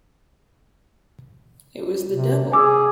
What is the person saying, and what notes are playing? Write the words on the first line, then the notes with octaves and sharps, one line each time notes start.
It was the devil!
C3
G#4 G#5 D6 E6